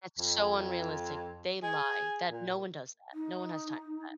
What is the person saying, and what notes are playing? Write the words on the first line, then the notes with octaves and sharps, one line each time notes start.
That's so unrealistic. They lie that no one does that. No one has time for that.
F2
G#4
A#2
D#4